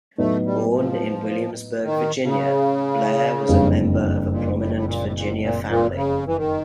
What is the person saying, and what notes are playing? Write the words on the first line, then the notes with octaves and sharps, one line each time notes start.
Born in Williamsburg, Virginia, Blair was a member of a prominent Virginia family.
A2 F#3 A3 B3 D#4
G3
F3
D#3
C#3
F#1 F2 D3 G3
A#2
A2
A2
A#2
A2
A#2
A#2
A#2
C#3
E3
D#3